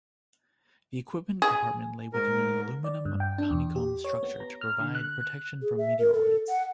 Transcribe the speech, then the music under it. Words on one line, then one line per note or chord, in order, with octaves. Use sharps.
The equipment compartment lay within an aluminum honeycomb structure to provide protection from meteoroids.
G#4
G#2 A#4
D5
G2
G5
D4
E2
G4
C#5
B3
A#5
F6
D3
F#6
G#4
E5
A#4
A4
F#5